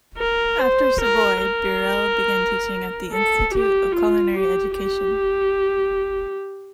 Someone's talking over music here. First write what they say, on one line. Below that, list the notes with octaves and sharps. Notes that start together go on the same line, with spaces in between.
After Savoy, Burrell began teaching at the Institute of Culinary Education.
A#4
C5
A#4
A#4
A4
G4
F4
G4
G4